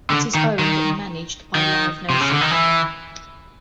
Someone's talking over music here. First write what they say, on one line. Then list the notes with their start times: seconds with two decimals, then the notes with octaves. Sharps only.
It is owned and managed by Live Nation.
0.10 D3
0.35 D#3
0.59 D#3
1.55 D#3
2.10 C3
2.20 C#3
2.30 D3
2.41 D#3
2.51 E3